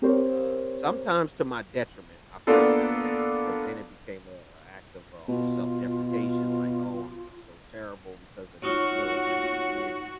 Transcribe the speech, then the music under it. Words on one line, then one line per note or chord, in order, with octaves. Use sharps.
uh, sometimes to my detriment, I found out later, because then it became a a act of, uh, almost self-deprecation, like, "Oh, I'm I'm so terrible because of this little thing I did."
C4 G4 A#4 C5 C#5
A#3 B3 D4 F4 A4
B2 F4
D#4 F4 F#4 C#5